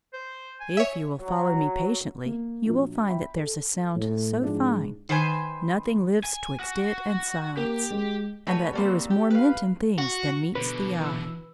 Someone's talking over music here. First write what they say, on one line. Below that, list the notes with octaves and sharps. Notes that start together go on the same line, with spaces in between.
If you will follow me patiently, you will find that "there's a sound so fine, nothing lives 'twixt it and silence," and that there is more meant in things than meets the eye.
C5
G#5
C#5 E5
F#3
A#3
A#1 F#3
E5 G5 B5
A4
A2
G#2 F3 D4
D#3 B4 C5 G#5
G#5
F#4
A#3 G4
G#3
A3 F#4 B4 C#5 G#5 B5
G3 A#3 C4
G4
B4 F5
F#4
B2 D3 B4
E3 E6